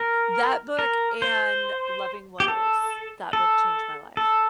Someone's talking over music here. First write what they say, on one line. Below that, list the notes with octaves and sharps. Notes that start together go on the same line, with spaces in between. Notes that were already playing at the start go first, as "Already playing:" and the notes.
that book and Loving What Is that book changed my life.
Already playing: A#4
A#4
C5
G4
A4
A4
A4